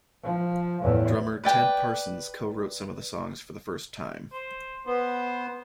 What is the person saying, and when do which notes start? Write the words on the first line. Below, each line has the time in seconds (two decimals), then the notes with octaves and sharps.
Drummer Ted Parsons co-wrote some of the songs for the first time.
0.24 F3
0.82 E2 A2
1.44 B4 D5 G5
4.33 C5
4.86 B3 C5